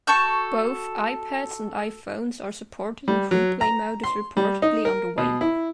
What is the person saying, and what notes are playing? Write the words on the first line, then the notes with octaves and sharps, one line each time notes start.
Both iPads and iPhones are supported and freeplay mode is reportedly on the way.
F#4 A4 C#6 G6
G3
F#3
A#5
C6
G3
D#4
A#4
B2
E4